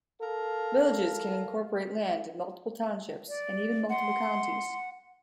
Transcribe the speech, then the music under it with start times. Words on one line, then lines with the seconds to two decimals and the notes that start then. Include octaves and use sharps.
Villages can incorporate land in multiple townships and even multiple counties.
0.20 A4 A#4 F5
3.29 D5
3.89 F#5 C6